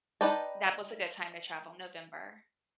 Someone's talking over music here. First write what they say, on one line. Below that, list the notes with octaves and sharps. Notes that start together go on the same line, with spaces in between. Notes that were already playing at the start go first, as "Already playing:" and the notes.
That was a good time to travel, November.
D#4 B4 D5 G5 A5